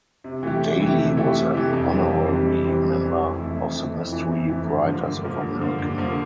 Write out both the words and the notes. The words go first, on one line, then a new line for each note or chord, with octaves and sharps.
Daly was an honorary member of the Mystery Writers of America.
C3
E3 A3 E4 G4
C3
E3 A3 E4 G4
C3
E3 A3 E4 G4
C3
E3 A3 E4 G4
F2
E3 G3 C4
F2
E3 G3 C4
F2
E3 G3 C4
F2
E3 G3 C4
F2
E3 A3 E4
F2
E3 A3 E4
F2
E3 A3 E4
F2
E3 A3 E4
G2
D3 F3 A#3
G2
D3 F3 A#3
G2
D3 F3 A#3
G2
D3 F3 A#3